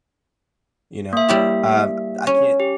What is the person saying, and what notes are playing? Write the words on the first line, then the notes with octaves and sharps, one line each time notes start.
you know? Um, I can't
A#3 E5
G3 E4 G4
C#4
G4